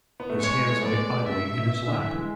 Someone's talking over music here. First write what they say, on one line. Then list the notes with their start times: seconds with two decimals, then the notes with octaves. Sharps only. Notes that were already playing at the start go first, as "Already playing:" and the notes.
His hands lay idly in his lap.
0.20 B3
0.30 A3
0.40 G#3 C#5
0.55 B3
0.70 A3
0.84 G#3 D5
1.28 C#3 E5
1.51 B2
1.88 D3
2.03 E3
2.18 G#3